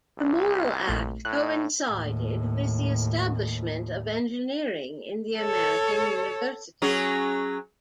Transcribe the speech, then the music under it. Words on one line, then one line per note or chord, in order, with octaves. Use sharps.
The Morrill Act coincided with the establishment of engineering in the American university.
C2
A#1 A3
A2 F#6
D#2 A2
A4 C#5
F#3 C#4 G#4